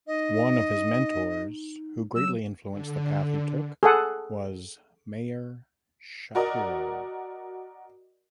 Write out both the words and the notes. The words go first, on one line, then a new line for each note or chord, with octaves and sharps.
One of his mentors who greatly influenced the path he took was Meyer Schapiro.
D#4 D#5
F#3 E6
D3
G#4 A4 F#5
F#4 A#4 D5 D#5